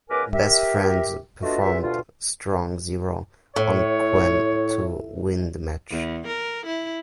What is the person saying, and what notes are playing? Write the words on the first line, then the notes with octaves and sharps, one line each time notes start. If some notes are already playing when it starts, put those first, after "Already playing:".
Best Friends performed "Strong Zero" on Quen to win the match.
C#2 B3 A#4 B4 G#5 D6
G4 A#4 E5
A3 B3 D4 F4 F#4 D#5
E2 F4 E5
D2 G2 B2 F4
A2 C#5
E2
A#4
E4